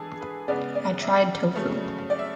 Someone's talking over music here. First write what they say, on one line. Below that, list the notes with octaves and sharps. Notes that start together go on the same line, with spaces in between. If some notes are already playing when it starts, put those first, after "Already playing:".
I tried tofu.
Already playing: E3 G#3 B3 D4 G#4 A4
B4
C#3 G#3 B3 D5
D5
E5
C#3 F#3 A3 C#4
D5
E5